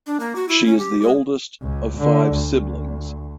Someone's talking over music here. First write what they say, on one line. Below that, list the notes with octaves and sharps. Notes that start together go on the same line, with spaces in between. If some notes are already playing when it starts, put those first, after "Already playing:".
She is the oldest of five siblings.
D4
A#3
F#4
E4
C#4
G4
G#3
C#2
D3
D2